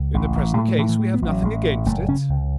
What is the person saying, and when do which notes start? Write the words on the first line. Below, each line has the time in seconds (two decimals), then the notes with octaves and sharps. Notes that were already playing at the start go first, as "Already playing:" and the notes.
"In the present case we have nothing against it."
Already playing: C#2
0.14 A1
0.36 A1
0.57 A2 A3
0.68 F#3
0.78 A2 E3
0.89 E3
1.00 A2
1.14 B3
1.22 A1
1.29 F#3
1.43 A1
1.64 A2
1.86 F#1 A3
2.08 C#3 C#4
2.29 C#2